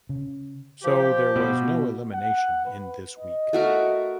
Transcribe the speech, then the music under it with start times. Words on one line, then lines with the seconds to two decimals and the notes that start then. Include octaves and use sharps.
So there was no elimination in this week.
0.09 C#3
0.84 F3 G4
1.36 B2
2.14 F#5
2.65 B4
3.19 D#5
3.53 A3 F#4 A#4